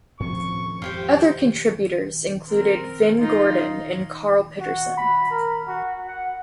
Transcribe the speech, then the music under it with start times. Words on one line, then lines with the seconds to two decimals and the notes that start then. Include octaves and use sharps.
Other contributors included Vin Gordon, and Karl Pitterson.
0.20 A2 C3 F3 C4 C#4 C#6
0.82 F2 G#3 F4 G4 C5 G5
2.48 C4 A#4
3.19 D#4 F4
4.60 F#4
4.98 B5
5.30 A#4
5.68 F#4
6.07 F#5